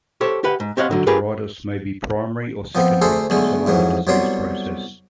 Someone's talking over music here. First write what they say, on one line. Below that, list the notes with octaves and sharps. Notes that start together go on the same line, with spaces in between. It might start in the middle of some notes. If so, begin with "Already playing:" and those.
Arteritis may be primary or secondary to some other disease process.
G4 A4 C5 C#5
G4 B4 F#5
G#2
C4 G4 C#5 D#5 F5 F#5
D3 F#3
F4 G4 G#4 A#4 B4
F3 B3 C4
D2 A3 G#4 A4 C5 C6
B1 D3 G#3 A3
F2 G#2 E3 F#3
C2 B2 F#3 C#5 D5 C6